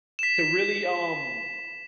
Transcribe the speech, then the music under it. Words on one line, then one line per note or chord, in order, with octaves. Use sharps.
to really, um,
B6 E7